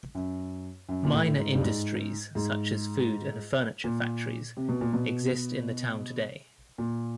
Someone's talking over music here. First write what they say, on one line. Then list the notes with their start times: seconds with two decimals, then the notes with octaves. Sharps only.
Minor industries, such as food and furniture factories, exist in the town today.
0.15 F#2
0.89 F#2
1.05 A#2
1.13 A2
1.38 G#2
1.55 G2
1.61 G#2
2.35 G#2
3.84 A#2
4.57 C3
4.69 B2
4.81 A#2
4.93 B2
6.78 A#2